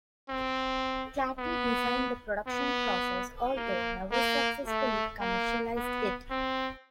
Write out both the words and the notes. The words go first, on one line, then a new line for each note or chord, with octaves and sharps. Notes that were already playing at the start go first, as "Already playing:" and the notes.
Klatte designed the production process, although never successfully commercialised it.
C4
B3
B3
A#3
A#3
A3
A#3
B3
C4